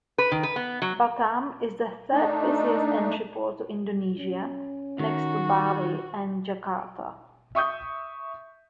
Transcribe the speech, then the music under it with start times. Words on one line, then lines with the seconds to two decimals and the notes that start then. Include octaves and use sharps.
Batam is the third busiest entry port to Indonesia next to Bali and Jakarta.
0.18 B4
0.32 D#3
0.43 B4
0.56 B3
0.82 F#3
2.11 A3 D4 D#4
4.18 C#4
4.99 D#3 F#4
7.55 E5 C#6 D#6 G6